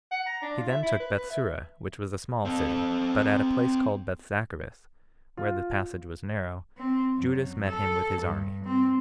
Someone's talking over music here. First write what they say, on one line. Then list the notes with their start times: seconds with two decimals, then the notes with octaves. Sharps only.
He then took Bethsura, which was a small city; but at a place called Bethzacharis, where the passage was narrow, Judas met him with his army.
0.11 F#5
0.26 A#5
0.42 D4
0.57 F4
0.69 E5
0.83 E4
1.00 B4
1.16 B4
1.30 E5
2.45 C4 A4
5.37 F4
6.77 C4
7.18 F#2
7.67 A4
8.22 G2
8.65 C4